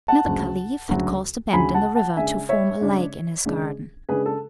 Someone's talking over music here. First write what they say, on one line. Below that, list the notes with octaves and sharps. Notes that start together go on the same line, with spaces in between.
Now the Caliph had caused a bend in the river to form a lake in his garden.
F#5 A5
D2 C#3 F#3
D2 C#3 F#3
D2 C#3 F#3 G#5 B5
F#5 A5
F#5 A5
C#3 G#3 D4 E5 G#5
C#5 E5
C#3 G#3 D4
C#3 G#3 D4
C#3 G#3 D4 G#4 B4
A4